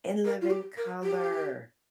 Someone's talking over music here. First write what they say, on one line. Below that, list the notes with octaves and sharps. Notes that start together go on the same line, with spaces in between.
In Living Color.
A#4
F4
G4
A#4
G4